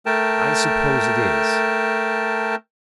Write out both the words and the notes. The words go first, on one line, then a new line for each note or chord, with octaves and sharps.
I suppose it is.
A3 A#4 G5 A5